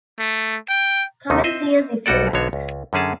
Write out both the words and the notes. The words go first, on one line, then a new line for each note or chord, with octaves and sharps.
Come and see us if you like.
A3
G5
D#2 C3 D#3 A3 D#4
C4 C5 D#5 E5
B1 G3 F#4 A4 D5
B1 D3 B3 F#4 C5 C#5
C#2
F#2 D3 C#4 G#4 A5